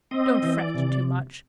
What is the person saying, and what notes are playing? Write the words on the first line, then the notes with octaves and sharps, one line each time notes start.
Don't fret too much.
C4 D#5
E3
D5
C3